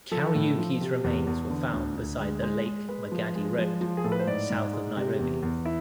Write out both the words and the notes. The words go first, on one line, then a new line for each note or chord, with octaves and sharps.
'Kariuki's remains were found beside the Lake Magadi Road, south of Nairobi.
F3 A4
A2
F3
C3
E2
E2
D3
D2
D2
G#3
G#3
G#3
G#3 B4
F3
G#3
F3
F3
G#4
A2 A4
B4
C5
G#2 D5
G#2
G#3
C3
E2
E2
E4